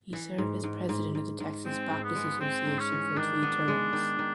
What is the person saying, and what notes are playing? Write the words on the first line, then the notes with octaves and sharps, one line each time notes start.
He served as president of the Texas Baptist Association for three terms.
E3
G#2
G#2
G#2
G#2
G#2
G#3 C4
G#2
B3
G#3
G#3 C4
G#2
C#4
E3
D#3 D4
B3
G#3
D#3
D#3